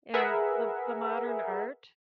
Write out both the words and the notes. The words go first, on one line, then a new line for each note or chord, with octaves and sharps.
And the the modern art
G#4 A#4 B4 E5 F#5